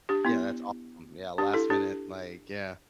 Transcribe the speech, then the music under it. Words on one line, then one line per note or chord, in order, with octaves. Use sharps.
Yeah, that's awesome. Yeah, last minute, like, yeah.
D4 G4
B3 E4
D4 G4
E4 A4
D4 G4